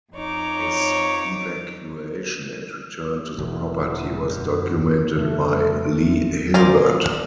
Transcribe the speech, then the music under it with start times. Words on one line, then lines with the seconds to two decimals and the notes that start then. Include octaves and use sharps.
His evacuation and return to the property was documented by Leigh Hilbert.
0.13 F2 D#4 C#5 D6
3.38 E1 E2
4.29 F#2 B2
5.18 F2 C#3 G3 A3
6.54 F4 A#4 C5 D5 G#5